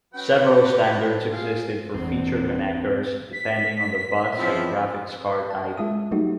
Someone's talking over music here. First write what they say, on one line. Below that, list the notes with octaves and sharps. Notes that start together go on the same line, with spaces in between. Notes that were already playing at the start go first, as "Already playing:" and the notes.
Several standards existed for "feature connectors", depending on the bus and graphics card type.
F#3 C#4 B4 F#5 G5
F4 D5
C5
G#4 F5
G1 E2 C4
B6
E2 C#3 F3 C4 E4 E5
A5
G#3 F4 E5 D#6
F#3 G3 A3 D#4 F#4 G4